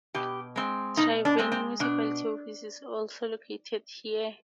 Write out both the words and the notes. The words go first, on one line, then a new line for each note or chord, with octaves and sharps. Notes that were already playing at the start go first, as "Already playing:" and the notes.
Triveni Municipality office is also located here.
B2 G4
G#3 C4
B2 D#4
D4
G#3 C4
C4
B2 D4